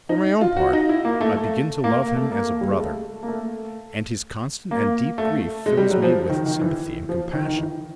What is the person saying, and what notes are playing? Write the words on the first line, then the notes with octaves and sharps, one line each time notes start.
For my own part, I begin to love him as a brother, and his constant and deep grief fills me with sympathy and compassion.
D#4
F4
F#4
D#4
E4
A#3
A3
A3
A#3
A#3
A3
A#3
G3
G#3
A3
A#3
A3
A#3
A3
G#3
G3
F#3
F3
D#3
D#3
E3
F3
D#3
D#3
E3